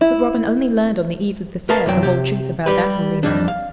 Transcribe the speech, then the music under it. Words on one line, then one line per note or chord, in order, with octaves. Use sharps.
But Robin only learned on the eve of the Fair the whole truth about that holy man.
E4
A#4 B4 D#5 F5 A5
C2 F#2 F#3 G5
C3 G4
G3 G4 B4
F2 G3 D4
F5